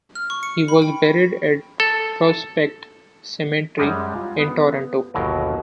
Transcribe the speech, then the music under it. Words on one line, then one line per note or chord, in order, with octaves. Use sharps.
He was buried at Prospect Cemetery in Toronto.
F6
C#6
C#7
B5
G5
A4
F#2 G3 G#3
F4
B3
G1 D#2 B2 F#3 A#4